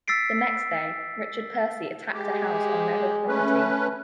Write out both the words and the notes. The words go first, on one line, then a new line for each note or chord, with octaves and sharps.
The next day, Richard Percy attacked a house on Neville property.
E6 A6 B6 C7 D7
G#3 G4
A3 C#4 B4